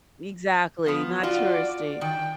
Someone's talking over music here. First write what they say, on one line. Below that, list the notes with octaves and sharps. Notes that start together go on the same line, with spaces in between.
Exactly, not touristy.
F3 B3
F4 F#4 D5
D#3 G5